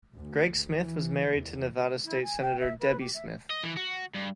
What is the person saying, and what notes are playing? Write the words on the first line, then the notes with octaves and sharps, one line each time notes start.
Greg Smith was married to Nevada state senator Debbie Smith.
D2
E3
E2
E4
G#5
G5
E5
B4
G4
E5
D#5
E3
F#4
G2